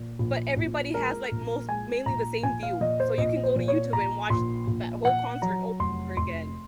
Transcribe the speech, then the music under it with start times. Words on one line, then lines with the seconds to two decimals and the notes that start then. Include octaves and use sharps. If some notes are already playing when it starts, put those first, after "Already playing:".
But everybody has like most mainly the same view, so, you can go to YouTube and watch that whole concert over again.
Already playing: A#2
0.19 A#1
0.57 A#1
0.94 G#3 A#4
1.32 A#1
1.69 G#3 G#5
2.06 A#1 A#5
2.43 A#1 G#5
2.63 F5
2.81 A#2 D#5
3.00 C5
3.18 A#1 D#5
3.43 C5
3.56 A#2
3.68 C#5
3.93 A#1 A#5
4.30 A#1 C6
4.67 A#1
5.05 A#2 F#5
5.42 F#3 A#5
5.80 F1 C6
6.17 F1 C6